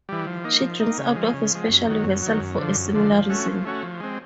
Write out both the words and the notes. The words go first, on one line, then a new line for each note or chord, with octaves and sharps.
She drinks out of a special vessel for a similar reason.
E3 G3
F3
A#3 D#4
F3
A#3 D#4
C#3
F3 G#3
C#3
F3 G#3
F#2
D#3 F#3
F#2
D#3 F#3
F#2
D3 F3
F#2
D3 F3
F3
A3 C#4 F#4
F3
A3 C#4 F#4
F3
G#3 C4